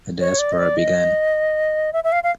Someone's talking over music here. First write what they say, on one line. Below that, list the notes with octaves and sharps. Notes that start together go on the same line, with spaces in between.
The diaspora began.
C#5
D5
D#5
D5
D#5
E5
E5
F5
F5